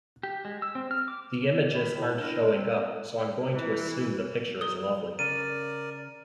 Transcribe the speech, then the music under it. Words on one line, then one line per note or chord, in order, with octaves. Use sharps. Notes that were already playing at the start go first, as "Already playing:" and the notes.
The images are n't showing up, so I 'm going to assume the picture is lovely.
G4
G#3
E6
C4
F6
D6
D#3 A#4 B5
A2
D#3 D4 E4 A#4
G#3
C4
E3
F#3 D#6 G7
C#3 A#4 D5 D#7